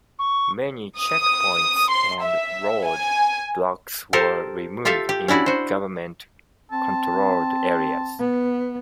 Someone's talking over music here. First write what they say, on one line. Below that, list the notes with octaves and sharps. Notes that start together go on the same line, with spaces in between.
Many checkpoints and road blocks were removed in government controlled areas.
C#6
D#6
C6
E5
G#5
G4 A4 A#4 C5
F4 G4 A4 E5 F5
G4
C#4 D4 E4 F#4 D5
F#4 C5
C4 A5
B3